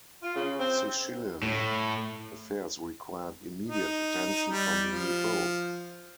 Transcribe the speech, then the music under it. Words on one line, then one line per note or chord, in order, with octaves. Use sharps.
Sicilian affairs required immediate attention from the new Pope.
F4
C#3
C4
A2
D#4
G3
F3